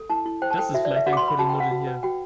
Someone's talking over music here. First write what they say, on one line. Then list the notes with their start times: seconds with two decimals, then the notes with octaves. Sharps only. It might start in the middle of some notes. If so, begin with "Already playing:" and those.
Das ist vielleicht ein Kuddelmuddel hier.
Already playing: A4
0.10 E4 A5
0.26 E4
0.42 C5 G5
0.50 A5
0.58 A4 G5
0.74 F#4 E5
0.85 D5
0.91 B4
0.96 E5
1.06 F#4 F#5
1.13 D6
1.17 C6
1.23 B4
1.28 B5
1.39 F#4 A5
1.49 G5
1.55 B4
1.60 F#5
1.71 F#4
1.87 B4
2.03 F#4 G5